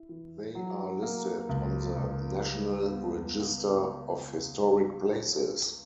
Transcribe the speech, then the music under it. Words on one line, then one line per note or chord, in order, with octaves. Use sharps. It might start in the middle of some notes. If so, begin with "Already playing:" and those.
They are listed on the National Register of Historic Places.
Already playing: E4
E3
F#3
A#3
C#2
C#2
G3
B3